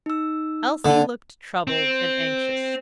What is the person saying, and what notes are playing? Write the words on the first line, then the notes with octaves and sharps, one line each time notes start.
Elsie looked troubled and anxious.
D#4 E6
D3 A#3 D5 A5
C4